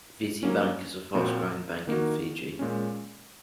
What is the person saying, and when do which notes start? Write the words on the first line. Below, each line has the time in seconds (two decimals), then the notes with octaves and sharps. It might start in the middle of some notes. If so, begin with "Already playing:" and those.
Viti Bank is a fast growing bank in Fiji.
0.43 F#3 A#3 C#4
1.15 A#2 F3 C4 F#4
1.87 D#3 A#3 D#4 F#4
2.59 A#2 G#3 C#4